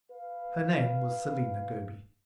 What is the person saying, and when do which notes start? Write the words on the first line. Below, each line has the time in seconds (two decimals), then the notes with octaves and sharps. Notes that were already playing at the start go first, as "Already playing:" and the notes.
Her name was Selina Goby.
0.11 B4 F5